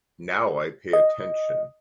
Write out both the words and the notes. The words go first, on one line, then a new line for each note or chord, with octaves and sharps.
Now I pay attention.
D#5